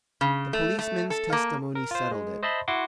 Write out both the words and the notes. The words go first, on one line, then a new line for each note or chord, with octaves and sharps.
The policeman's testimony settled it.
C#3
A3
A3
A4
A#3
A#4
F4 C5
G#3
C5 D#5 E5 A5 B5 C6
E4 F#4 F#5 C6 D6